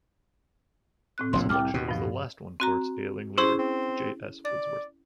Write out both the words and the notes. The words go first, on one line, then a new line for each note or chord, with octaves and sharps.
This election was the last one for its ailing leader, J. S. Woodsworth.
A2 C4 F#6
F1 A#1 A2 C6
C2 G5 D6 F6
D#2 B2
G2 F3
C4 F#4 A#5
C#4 E4 G#4 C5
C4
D5 A6